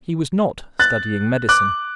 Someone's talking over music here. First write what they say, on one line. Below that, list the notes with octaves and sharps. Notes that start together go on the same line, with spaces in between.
He was not studying medicine.
F#6 A6
D6 F#6